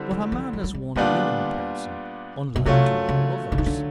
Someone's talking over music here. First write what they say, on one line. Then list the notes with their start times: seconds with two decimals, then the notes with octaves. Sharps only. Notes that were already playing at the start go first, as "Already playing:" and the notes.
'But a man is one willing person, unlike to all others.'
Already playing: D3 G3 C4 E4
0.11 F3
0.32 F3
0.53 F#3
0.64 F#3
0.74 G3
0.96 A#2 D3 G3 B3 D4 F4
2.56 B2
2.65 C3 F#3 A3 C#4 F4
3.09 C#3
3.52 D3
3.58 D#3
3.66 D3